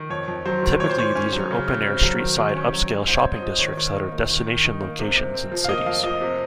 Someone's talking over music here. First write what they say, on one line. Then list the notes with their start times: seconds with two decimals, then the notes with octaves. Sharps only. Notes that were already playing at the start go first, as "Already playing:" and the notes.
Typically these are open-air street-side upscale shopping districts that are destination locations in cities.
Already playing: D#3
0.10 F2 C#5
0.28 F2
0.45 F#3 C5
0.63 D#3
0.80 A#2 C#5
0.89 C5
0.98 A#2 C#5
1.15 C#4
1.33 F#3
1.51 C#3
1.68 C#3
1.85 C4
2.03 F#3
2.19 D#3
2.37 D#3
2.55 C#4
2.73 F#3
2.90 D#4
3.07 G#2 C5
3.14 C#5
3.25 C4
3.36 D#5
3.42 F3
3.59 D#3 C#5
3.77 D#3
3.95 D#4
4.11 A#3
4.30 D#3
4.46 D#3
4.64 D#4
4.81 A#3
4.99 C3
5.17 C3
5.34 C4
5.52 F3
5.64 F5
5.69 A#3 D#5
5.86 F2 F5
6.03 F3 D#5
6.21 C3